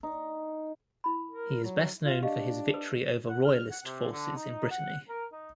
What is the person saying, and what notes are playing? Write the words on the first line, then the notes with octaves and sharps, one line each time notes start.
He is best known for his victory over Royalist forces in Brittany.
D#4
E4 B5
A#4
F#3
F4
D4 G4 D#5 F5
B4 D#6
F#5
F6
F#5
C3
D3
D#4
F#5
A#4
D#4